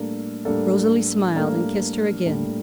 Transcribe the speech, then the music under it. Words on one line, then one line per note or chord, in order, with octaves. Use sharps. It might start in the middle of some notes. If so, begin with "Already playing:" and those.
Rosalie smiled and kissed her again.
Already playing: A2 G3 A#3 D4 A4
A2 G3 A#3 D4 A4
A2 G3 A#3 D4 A4
A2 G3 A#3 D4 A4